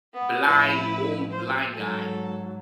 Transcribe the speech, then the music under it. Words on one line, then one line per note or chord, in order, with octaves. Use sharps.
blind old blind guy,
B3
A1 F3 E4 B4
C5
G#2 F#3 A4